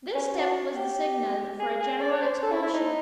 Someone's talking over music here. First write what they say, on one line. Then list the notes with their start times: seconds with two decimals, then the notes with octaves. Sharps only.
This step was the signal for a general explosion.
0.15 C#4
0.35 F#4
0.76 G4
1.59 G#4
1.80 G#4
2.01 D5
2.11 C#5
2.21 C5
2.43 A4
2.52 E4
2.62 E4
2.74 D#4